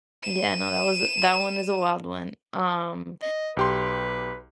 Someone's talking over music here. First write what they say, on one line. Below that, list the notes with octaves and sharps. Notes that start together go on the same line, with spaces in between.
Yeah, no, that was that one is a wild one. Um,
D#7 E7
D#5
B1 G4 B4 C6